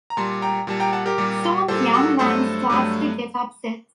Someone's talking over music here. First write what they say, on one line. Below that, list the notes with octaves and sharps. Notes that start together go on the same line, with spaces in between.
Soon the young man starts to get upset.
A#5
A#2 G3 A5 C6
G5 A#5
A#2 G3 A5
G5 A#5
F#5 A5
G4 A#4
A#2 G3
A#2 G3 A4 C5
F#4 A4
G2 F#3 A3 A4 C5
G2 F#3 A3